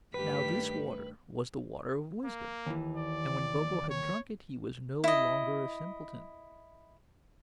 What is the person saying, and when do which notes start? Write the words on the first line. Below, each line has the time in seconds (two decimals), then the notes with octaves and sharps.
Now this water was the water of wisdom, and when Bobo had drunk it, he was no longer a simpleton.
0.14 G2 D#3 A3 G4 B4 B6
2.25 A#3
2.66 D#2 E3
2.97 D5
3.90 C#5
5.04 E4 D#5